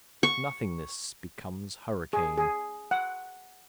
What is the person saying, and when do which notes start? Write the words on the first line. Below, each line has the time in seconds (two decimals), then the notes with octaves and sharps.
Nothingness becomes hurricane.
0.23 C#6
2.13 G#4
2.38 G#4
2.91 F#5